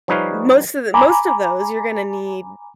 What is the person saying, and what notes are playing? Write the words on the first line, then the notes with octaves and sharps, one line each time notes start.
most of the most of those, you're gonna need
F3 G3 D#4 B4 C#5 F5
G#5 A#5 B5 D6